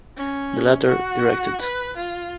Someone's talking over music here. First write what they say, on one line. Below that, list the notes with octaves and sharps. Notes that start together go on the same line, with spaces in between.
The latter directed.
C#4
F#4
B4
F4